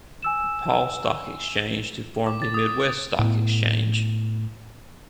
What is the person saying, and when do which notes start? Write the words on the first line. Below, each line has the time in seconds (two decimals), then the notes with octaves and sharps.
Paul Stock Exchange to form the Midwest Stock Exchange.
0.22 G#5 E6 E7
2.27 D6
2.42 A6
2.54 D#6
3.19 A2 B3